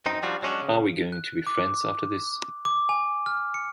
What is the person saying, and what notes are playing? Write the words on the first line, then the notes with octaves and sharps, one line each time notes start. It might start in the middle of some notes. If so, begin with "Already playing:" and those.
Are we going to be friends after this?
F#2 C4 D#4
F3 G3 D4 F4 F#4
F#3 G#3 C#4 D4 F#4
C#3
F#6
D6
D6
G#5
F6
C#7